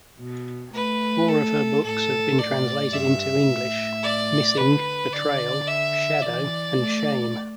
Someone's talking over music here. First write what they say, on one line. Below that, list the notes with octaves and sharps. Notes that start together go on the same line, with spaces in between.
Four of her books have been translated into English: "Missing", "Betrayal", "Shadow" and "Shame".
B2
A3 B4
A4
A2 A4
A2 D5
G2 E5
A2
D5
D3 B4
D3 D5
E5
E3 D5
A3